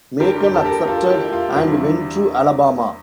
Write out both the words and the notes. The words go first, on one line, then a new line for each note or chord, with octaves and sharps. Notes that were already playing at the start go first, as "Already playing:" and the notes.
Macon accepted and went to Alabama.
G2 D3 G3 G4 A#4
G4
A4
G4 A#4
F4 A4
E4 G4
F4
E2 C3 G3 D4 E4